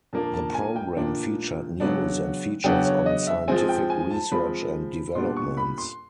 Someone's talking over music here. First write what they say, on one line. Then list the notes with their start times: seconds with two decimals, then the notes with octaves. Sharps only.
The program featured news and features on scientific research and developments.
0.13 A#2 F3 A#3 D4 A5
0.34 A5
0.54 G#5
0.76 G5
0.96 A#2 F3 A#3 D4
1.80 C#3 F#3 B3 D4
2.64 C#3 F#3 B3 D4 G5
2.85 C#5
3.06 D#5
3.27 E5
3.48 F3 G#3 C4 G#5
3.69 G5
3.90 G#5
4.11 A5
4.32 F3 G#3 C4 B5
5.15 A#2 G3 B3 D4 C6
5.36 C#6
5.57 B5
5.78 C6